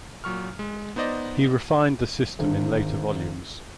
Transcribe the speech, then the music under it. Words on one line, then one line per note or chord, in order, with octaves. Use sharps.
He refined the system in later volumes.
A#2 F#3 C#6 F6
G#3
B3 D#4 C5 D5 D#5
G#1 D3